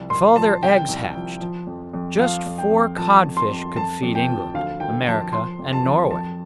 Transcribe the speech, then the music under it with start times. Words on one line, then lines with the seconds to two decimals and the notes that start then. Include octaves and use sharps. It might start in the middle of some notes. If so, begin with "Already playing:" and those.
"If all their eggs hatched, just four codfish could feed England, America, and Norway."
Already playing: C2 F3
0.10 C2 C6
0.36 F3 A5
0.63 C2 G5
0.88 C2
1.15 F3
1.41 F3
1.67 F2
1.93 F2
2.19 F3 F5
2.46 F2
2.58 G5
2.71 F2
2.97 F3 A5
3.25 F2
3.37 C6
3.50 F2
3.76 F2 A5
4.03 F2
4.15 G5
4.29 F3
4.54 D2 F5
4.80 D2 G5
5.07 F3 A5
5.33 F3 C6
5.59 F2
5.73 A5
5.85 F2
6.11 F2 A5